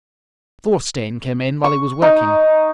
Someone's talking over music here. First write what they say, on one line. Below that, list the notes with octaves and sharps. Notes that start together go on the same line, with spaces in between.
Thorstein came in while he was working.
C#6
D#4